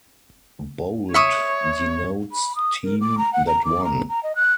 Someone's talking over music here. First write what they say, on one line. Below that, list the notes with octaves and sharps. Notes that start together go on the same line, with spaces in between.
Bold denotes team that won.
C#5 E5 C#6 D#6
B5
D#6
A#4
D6
A#5
F#5
A#5
D6
A#5
A#5
D#5
F#6